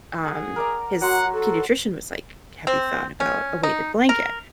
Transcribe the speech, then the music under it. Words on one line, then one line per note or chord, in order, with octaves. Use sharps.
um, his pediatrician was like, "Have you thought about a weighted blanket?"
G#4 F#5
A#4 D5 A#5
F#3 F#4 F#5 C6
F#4 A4
C4
C#4
D#4
A#4